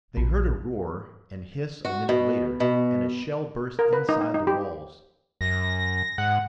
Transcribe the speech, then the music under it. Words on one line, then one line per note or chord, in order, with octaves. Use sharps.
They heard a roar and hiss a minute later, and a shell burst inside the walls.
A#1
F#4
B2
B2
A#4
B4
D#4
D#4
D#4
G4
F#2 A#6
G#2 F#5